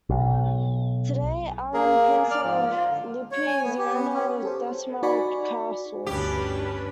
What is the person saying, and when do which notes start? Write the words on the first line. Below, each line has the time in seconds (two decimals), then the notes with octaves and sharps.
Today, Armin, Prince of Lippe is the owner of Detmold Castle.
0.09 B1
1.74 A#3 G#4 A#4
2.31 D5 F6
2.44 G#2 F3
2.71 F4
2.90 D3
3.32 C#5
3.47 G#5
3.63 B3
3.78 G4
3.93 B3
4.13 C#4
4.43 G4 A4 C5
5.02 D#4 F#4 D5 G#5 B5 C#6
6.06 G1 D2 C#4 D4 G4 B4